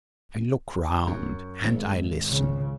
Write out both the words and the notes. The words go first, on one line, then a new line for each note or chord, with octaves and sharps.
I look round and I listen.
F#2
G#1
C#2 C#3